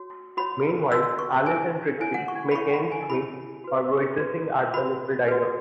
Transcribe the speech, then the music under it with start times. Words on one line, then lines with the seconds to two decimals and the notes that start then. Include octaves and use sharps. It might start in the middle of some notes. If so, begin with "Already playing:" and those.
Meanwhile, Alice and Trixie make ends meet by waitressing at the local diner.
Already playing: F#4 C#5
0.37 F#4 C#5 B5
0.92 F#4 C#5 E6
1.19 C#6
1.46 E4 C#5 G#5
2.00 E4 C#5 G#5
2.14 F#5
2.28 C#6
2.51 B5
2.55 E4 C#5 C#6
2.73 B5
2.92 G#5
3.10 E4 C#5 B5
3.64 F#4 B4
4.19 F#4 B4
4.74 F#4 B4 B5
5.28 F#4 B4